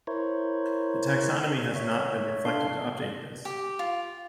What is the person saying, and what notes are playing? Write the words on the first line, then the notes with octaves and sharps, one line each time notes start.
The taxonomy has not been reflected to update this.
E4 A#4 C5 C#5
C#5 E5
D4 A4 F5 C6
G4
F4